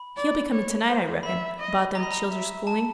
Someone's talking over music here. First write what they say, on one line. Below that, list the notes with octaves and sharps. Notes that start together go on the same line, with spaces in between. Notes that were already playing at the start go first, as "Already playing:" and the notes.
He'll be coming to-night, I reckon, about them childer's schooling.
Already playing: B5
D5
C#5
C5
E5 B5
D#5
D#5 A#5
B5
A#5
E5
A5